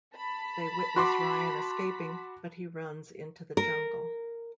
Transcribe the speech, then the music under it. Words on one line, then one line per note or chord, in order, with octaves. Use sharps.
They witness Ryan escaping, but he runs into the jungle.
A5 B5 B6
F#4 C6 D6
A#4